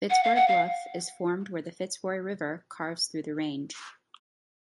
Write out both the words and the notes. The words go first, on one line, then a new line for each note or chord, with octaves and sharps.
Fitzroy Bluff is formed where the Fitzroy River carves through the range.
F#5
F5
F#5
F5